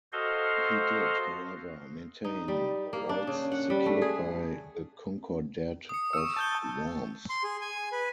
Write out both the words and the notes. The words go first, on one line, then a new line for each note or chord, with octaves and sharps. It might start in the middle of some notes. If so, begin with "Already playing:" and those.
He did, however, maintain the rights secured by the Concordat of Worms.
F#4 A4 C5 D#5 F5 C6
D#4
G3
A#3
D4
C#3
F#5
G3
A3
G#4
D#6 C#7
C#6 E6 C#7
A5 C#6 G6 G7
C6
G#4
G#5
B4